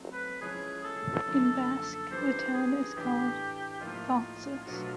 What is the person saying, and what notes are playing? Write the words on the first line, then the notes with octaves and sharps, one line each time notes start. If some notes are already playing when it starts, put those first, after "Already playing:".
In Basque the town is called "Faltzes".
Already playing: F#3 A3 C4 D#4
B4
F3 G#3 C#4 E4 G#4
A4
F#2 D3 F3 A#3
E3 G3 B3 D4 C5
G#4
A2 E3 A3 D4 G4
A2 F3 A#3 D#4 F4
B2 F#3 A3 D4 F#4